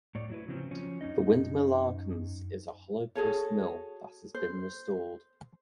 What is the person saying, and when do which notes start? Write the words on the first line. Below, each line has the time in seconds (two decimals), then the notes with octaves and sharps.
The windmill "Arkens" is a hollow post mill which has been restored.
0.15 A2 C#5 D5
0.30 F#3 E4 B4
0.48 C#3 F3 F#3 C4 C#4
0.71 F3 C#4
1.01 F#2 C#4 D#4 D#5
3.15 F#4 G#4 A4 C#5
4.34 C5